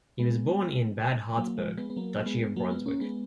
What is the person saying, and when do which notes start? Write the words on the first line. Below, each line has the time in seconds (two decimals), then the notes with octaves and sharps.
He was born in Bad Harzburg, Duchy of Brunswick.
0.19 G#3 B3
1.37 F#3 A#3
1.57 F3 G#3
1.77 G#3 B3
1.90 B3
1.96 F#3 A#3
2.26 G#3 B3
2.56 F#3 A#3
2.71 G#3 B3
2.86 A#3 C#4
3.00 G#3 B3